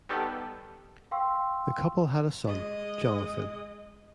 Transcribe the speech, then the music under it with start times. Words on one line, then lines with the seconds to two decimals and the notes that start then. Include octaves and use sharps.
The couple had a son, Jonathan.
0.09 D#3 G3 B3 G4 A4
1.11 F5 G5 C6 C#6 E6
2.44 G#3 D#5